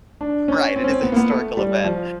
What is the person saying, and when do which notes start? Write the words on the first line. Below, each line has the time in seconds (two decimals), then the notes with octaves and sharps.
Right, it is a historical event.
0.21 D4
0.48 C#4
0.76 C4
0.84 C#4
0.89 C4
1.03 B3
1.12 A#3
1.16 B3
1.30 A3
1.57 G3
1.84 F3